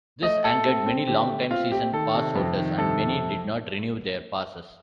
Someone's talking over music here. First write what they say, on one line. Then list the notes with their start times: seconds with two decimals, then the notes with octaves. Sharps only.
This angered many long-time season pass holders and many did not renew their passes.
0.22 A3 D#5
0.44 A3 A4
0.65 C4
0.86 C4
1.07 D3 G4
1.29 A3
1.50 C4 F4
1.72 A3 G4
1.92 D#3 A4
2.14 C3
2.36 F2
2.57 D#3
2.78 C3 A4
2.99 F2